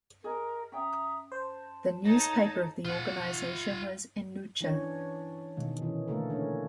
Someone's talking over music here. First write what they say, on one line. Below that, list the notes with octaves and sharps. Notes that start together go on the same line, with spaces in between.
The newspaper of the organization was "En Lucha".
G#4 A#4 D#5
C#4 E5 G5 A#5 D#6
C5 A5
D#4 A4 C#5 F5 A5 A#6
F4 F#5
E3 C#4 D4 C#5
B2 D#3 G#3
C3 E3 C#4
D3 A3 A#3 A4 A#4
C#4 D4